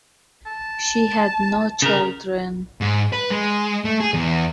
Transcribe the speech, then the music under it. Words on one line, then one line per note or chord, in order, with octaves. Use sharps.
She had no children.
A5
C#3 A#4
G#2
B4
G#3
A3
G#4
E2